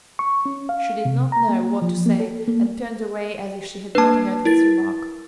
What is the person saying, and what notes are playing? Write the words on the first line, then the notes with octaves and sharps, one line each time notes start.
She did not know what to say and turned away as if she had not heard his remark.
C#6
C#4
F5
C3
A#5
A#3
F3
A#3
A4
A#3
A#3 D4 B4 A5
E4 A#4 A6